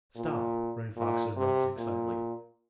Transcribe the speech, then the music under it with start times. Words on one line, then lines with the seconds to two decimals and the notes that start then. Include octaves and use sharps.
"Stop!" Running Fox interrupted, excitedly.
0.16 A#2
0.96 A#2
1.37 C3
1.77 A#2